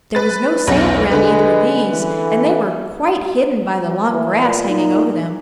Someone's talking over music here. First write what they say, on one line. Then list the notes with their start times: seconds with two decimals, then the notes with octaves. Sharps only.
There was no sand around either of these, and they were quite hidden by the long grass hanging over them.
0.15 B4 A6
0.67 B1 E2 E3
1.11 D3 G#3 B4
1.92 E3
4.13 E3
4.45 A#2
4.69 D#4